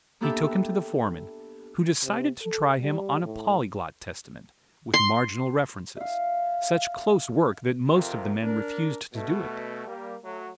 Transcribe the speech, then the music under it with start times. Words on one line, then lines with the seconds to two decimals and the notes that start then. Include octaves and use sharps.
He took him to the foreman, who decided to try him on a Polyglot Testament, with marginal references, such close work that most of the men refused to do it.
0.21 A#3 B3 D4 G4 A4 E5
2.03 C3
2.42 A4
2.80 G3
3.23 A2
4.94 C6
5.96 E5 F5
7.93 F2 C3 F4 A#4
8.43 D4 A#4
9.13 B2 A3
9.86 G3 A#3
10.24 F#3 A3